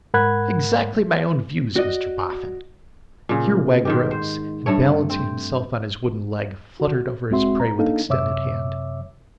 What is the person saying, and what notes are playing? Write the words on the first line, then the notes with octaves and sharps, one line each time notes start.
Exactly my own views, Mr Boffin.' Here Wegg rose, and balancing himself on his wooden leg, fluttered over his prey with extended hand.
G#2 A#4 F#5 B5 F#6 G#6
F#4 D5 D#5
A#2 C#3
G#2 D#3 G4
C5
G2 A3 C#5
C4
F#4
C2 G#3 C4 F#4 E5 C6
A#5
A#3 D4 D#4 A4 F5
F#2 C3 C#5 E5 D6 E6